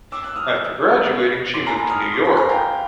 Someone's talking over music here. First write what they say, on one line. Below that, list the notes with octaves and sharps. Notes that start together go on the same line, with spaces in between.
After graduating, she moved to New York.
D6 E6
E6 F#6
D#6 F6
D6 E6
C6 D6
G#5 A#5
A5 B5
D#6 F6
D#6 F6
C6 D6
B5 C#6
G#5 A#5
F5 G5